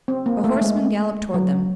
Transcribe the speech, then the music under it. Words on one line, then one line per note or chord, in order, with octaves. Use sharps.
A horseman galloped toward them.
C4
A#3
A3
G#3
F#3